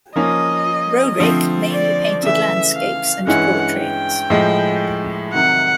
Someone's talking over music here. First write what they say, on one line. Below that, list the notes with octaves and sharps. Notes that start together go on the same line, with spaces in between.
Roerich mainly painted landscapes and portraits.
F3 A#3 C#4 D#5
D3 F3 A3 C4
D5
C#3 E3 A3 E5
F5
G2 E3 G#3 C#4 E4 F#5
G5
A2 F3 G#3
C3 D#3 F#3 F#5